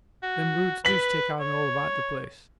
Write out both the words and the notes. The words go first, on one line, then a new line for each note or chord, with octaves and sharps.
Them roots do stick out all about the place.
F#4
B4 B6 F#7
C#5